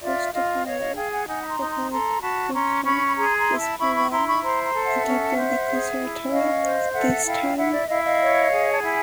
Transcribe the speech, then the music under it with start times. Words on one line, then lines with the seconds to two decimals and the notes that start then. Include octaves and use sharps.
Gustav Mahler, who called Bruckner his "forerunner", attended the conservatory at this time.
0.02 F4 D5 E5
0.33 F4 D#5 F5
0.65 C#5 D#5 F5
0.81 D#5 F5
0.96 G#4 F5 G5
1.12 F#5 G#5
1.28 D#4 F#5 G#5
1.42 B5
1.49 A#5 C6
1.59 D#4
1.70 A#5 C6
1.91 A4 A#5 C6
2.22 F#4 A5 B5
2.49 C#6
2.53 C#4 A#5 C6
2.85 C#4 B5 C#6
3.07 B5
3.16 G#4 A#5 C6
3.38 A#5 C6
3.48 E4
3.59 A5 B5
3.79 E4 B5 C#6
3.95 B5 C#6
4.11 E4 A#5 C6
4.27 B5 C#6
4.42 C5 A#5 C6
4.63 A#5 C6
4.74 A4
4.85 E5 F#5
5.05 C#4
5.37 C5
5.68 G#4
6.00 E4
6.31 C#4 D#5 F5
6.63 C5
6.94 A4 E5 F#5
7.25 E4 F5 G5
7.57 E4 E5 F#5
7.72 D5 E5
7.88 E4 D#5 F5
8.04 D#5 F5
8.20 C#5
8.52 G#4
8.72 A5
8.83 E4 F#5 G#5